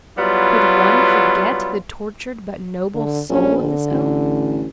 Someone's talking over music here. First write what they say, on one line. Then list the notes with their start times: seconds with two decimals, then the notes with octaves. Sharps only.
Could one forget the tortured but noble soul of this oak?
0.18 F#3 G3 B3 E4 F4
2.94 D3
3.30 A#1 C#4
3.61 D3
3.90 A1